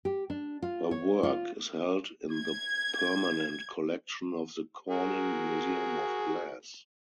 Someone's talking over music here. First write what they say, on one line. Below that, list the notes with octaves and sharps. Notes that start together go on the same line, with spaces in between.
Her work is held in the permanent collection of the Corning Museum of Glass.
G4
D4
F4
C#5
F4
G#6
F#4 G#4 A#4